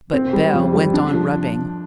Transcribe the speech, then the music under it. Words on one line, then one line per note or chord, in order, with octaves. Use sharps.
But Bell went on rubbing.
C4
G3
F2
G3
D4
F3